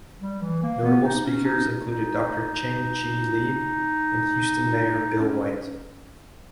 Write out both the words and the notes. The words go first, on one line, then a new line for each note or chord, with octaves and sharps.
Notable speakers included Doctor Cheng Chi Lee and Houston Mayor Bill White.
G3
E3
A#3
B3
D#4
C#4
D#4
D#4
C#4